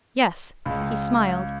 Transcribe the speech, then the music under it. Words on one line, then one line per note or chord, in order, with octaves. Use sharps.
Yes, he smiled.
C#2